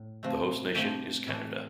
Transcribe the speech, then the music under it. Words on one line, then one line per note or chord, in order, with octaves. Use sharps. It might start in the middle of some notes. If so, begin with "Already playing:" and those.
The host nation is Canada.
Already playing: A2
C3 F3 A3
C3 F3 A3 G4
A2 E3 A3